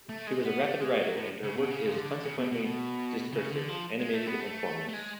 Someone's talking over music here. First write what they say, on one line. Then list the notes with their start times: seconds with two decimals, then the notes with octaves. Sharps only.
She was a rapid writer, and her work is consequently discursive, animated and formless.
0.09 A3
0.27 G#3
0.45 B3
0.63 A3
0.81 G#3
0.99 F#3
1.17 A2
1.43 C#3
1.57 B2
1.71 C#3
1.88 F3
1.98 D3
2.25 C#3
2.38 B2
2.51 B2
2.65 B2
3.32 C#3
3.50 D3
3.68 F3
3.99 G#3
4.13 A3
4.27 B3
4.40 A3
4.89 A3
4.94 G#3